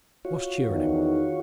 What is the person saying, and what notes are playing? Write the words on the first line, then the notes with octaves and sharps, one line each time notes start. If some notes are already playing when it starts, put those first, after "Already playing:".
What's cheerin' him?
F4 F#4 C#5
E2 D#3